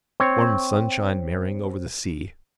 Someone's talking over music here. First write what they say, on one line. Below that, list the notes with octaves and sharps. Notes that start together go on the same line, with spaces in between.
Warm sunshine merrying over the sea.
C4 C#5